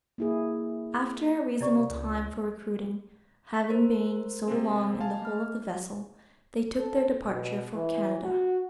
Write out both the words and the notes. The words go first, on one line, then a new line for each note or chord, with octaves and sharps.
After a reasonable time for recruiting, having been so long in the hole of the vessel, they took their departure for Canada.
A#3 E4 G#4
C3 E4 D5 C#6
C#2
A#4 C5
C3 G#3 C4
F5 G#5 A5
A3 F6
A4
B2
E3
F#4